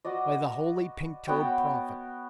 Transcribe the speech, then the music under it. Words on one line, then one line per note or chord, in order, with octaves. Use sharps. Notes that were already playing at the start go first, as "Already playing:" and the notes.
By the Holy Pink-toed Prophet!
F#4 B4 D5 D#5
B3 F#4 C#5 G5